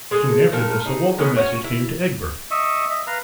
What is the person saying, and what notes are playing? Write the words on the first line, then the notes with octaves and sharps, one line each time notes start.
Soon after this a welcome message came to Egbert.
G#3 G#4 A4
A#2 F3 A4 A#4
D#4 G#4
G#3 B3 C#4 D#4
C#4 E4 F#4 C#5
E4
D#5 E5 C#6 D#6 E6
D#5 E5
B4 F5 A#5